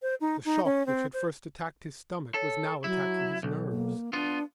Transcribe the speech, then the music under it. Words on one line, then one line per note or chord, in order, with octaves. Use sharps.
The shock which had first attacked his stomach was now attacking his nerves.
C5
D#4
D#4
C#4
C4
C5
A4 C#5
F#3 E4
B1
A#3
B3 D4 F4